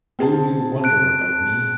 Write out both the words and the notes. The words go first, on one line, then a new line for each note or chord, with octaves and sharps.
Do You Wonder About Me?
C4 G#4 A5
F#6 D7